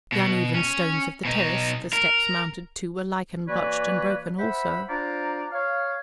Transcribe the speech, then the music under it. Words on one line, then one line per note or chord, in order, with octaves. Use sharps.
The uneven stones of the terrace the steps mounted to were lichen-blotched and broken also.
B2
C#4
B2 D#4
A#4
E3 A#3 F#4 B4 C#5 D5
C5 E5 F#5 B5
D4 F4 C5 D5 F5 A#5
C#5 F5